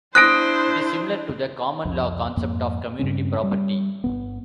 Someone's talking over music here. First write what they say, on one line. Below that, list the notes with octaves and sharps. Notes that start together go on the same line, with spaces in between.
It is similar to the common law concept of community property.
D4 E4 C5 D#6 F#6 A#6 D7
C2 F2
F2 G#2 A#3
G2 C#3 C4 C#4
G3
G1 F2 B3